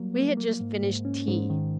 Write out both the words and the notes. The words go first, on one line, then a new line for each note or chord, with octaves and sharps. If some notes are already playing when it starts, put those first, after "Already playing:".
We had just finished tea.
Already playing: F#3 G3 A#3
A#3
A#3
G#2
G#2
C#4
G#2
D#3